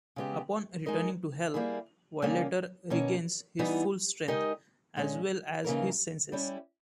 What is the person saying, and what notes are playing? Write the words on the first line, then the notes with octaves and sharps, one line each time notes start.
Upon returning to Hell, Violator regains his full strength, as well as his senses.
C#3 G#3 B3 G4
G#3 D#4 A#4 D#5
G3 A#3 E4 G#4
C#3 G3 A#3 C#4
B2 A#3 C#4
E3 G3 B3 D#4
G#3 D#4 G4 A#4 D#5
A#2 G#3 C#4
C#3 E3 A#3 D#4 A#4
G3 C#4 E4 G4